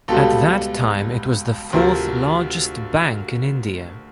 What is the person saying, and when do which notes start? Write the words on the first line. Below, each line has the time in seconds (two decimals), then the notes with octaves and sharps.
At that time it was the fourth largest bank in India.
0.08 C#2 B2 G3 A4
1.73 D2 C3 F3 A#4